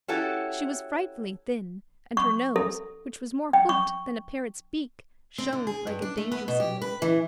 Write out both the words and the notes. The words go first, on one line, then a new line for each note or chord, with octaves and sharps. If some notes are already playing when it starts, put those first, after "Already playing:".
She was frightfully thin, and her nose, which was more hooked than a parrot's beak, shone like a danger signal.
C#4 E4 F#4 G4 A4
C#6
A4
G5
C#6
C4
D3
G#4
G2
D4
A3
B3
B2
G4
B4
E3